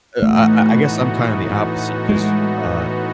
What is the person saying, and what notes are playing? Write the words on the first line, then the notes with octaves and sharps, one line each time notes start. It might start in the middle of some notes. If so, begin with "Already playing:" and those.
uh, I I guess I'm kinda the opposite, 'cause, uh,
A2 E3 A3 B3 D#4 F#4
G#3